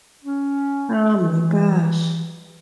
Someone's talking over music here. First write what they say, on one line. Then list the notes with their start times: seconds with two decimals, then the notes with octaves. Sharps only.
Oh my gosh.
0.24 C#4
1.18 E3